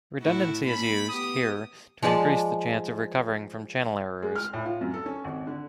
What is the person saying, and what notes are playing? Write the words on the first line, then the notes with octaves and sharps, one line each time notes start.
Redundancy is used, here, to increase the chance of recovering from channel errors.
A2 A3 E4 F#4
A3 A#3 C#4 B5
B3 G4 D#6
F3 G#3 D5 A5
G#3
F6
A2
F4
F#2
A4
C#4
G#1
D3